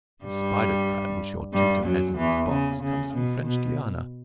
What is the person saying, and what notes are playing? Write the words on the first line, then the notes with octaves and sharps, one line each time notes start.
The spider crab which your tutor has in his box comes from French Guiana.
G2 G3
G2 G3
F#2 F#3
E2 E3
C#3
C#3
B2
B2